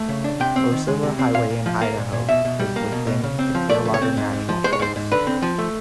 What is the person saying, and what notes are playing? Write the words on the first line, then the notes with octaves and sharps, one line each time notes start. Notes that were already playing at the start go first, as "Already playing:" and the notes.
Most of the highway in Idaho is within the Clearwater National Forest.
Already playing: A3
C#3
D4
C3 G5
C4
D#3
G#3
C3
C4
A#2 F5
A#2
F3
A#3
A#2
A#2
B2 E5
B2
G3
A#3
B2
B2
C#3
C4
F3
A3 D5
C#3
C#5
C4
G#2
G#2
F3
G#3 C5
C#5
G#2 C5
G#2
D3 B4
C4
F3
A3